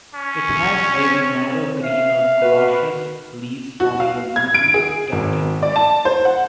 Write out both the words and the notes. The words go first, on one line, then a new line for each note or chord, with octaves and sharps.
It has very narrow green or glaucous leaves forming a loosely tufted plant.
C#4
C4 C#5
E5 F5
F#4 B4
F#4
F5
G#6
D7
G#4
G#1
D5
A5
C5
F#5